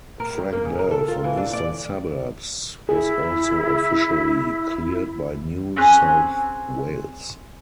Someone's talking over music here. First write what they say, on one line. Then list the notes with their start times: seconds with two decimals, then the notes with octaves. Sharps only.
Frank Bell from Eastern Suburbs was also officially cleared by New South Wales.
0.20 A#4
0.38 G2
0.53 A#3
0.65 C#3
0.79 A#4
0.91 A4
1.08 F4
1.24 E3
1.37 D4
1.53 D5
2.89 E4 G#4
5.76 C4 C#4 G#4 F#6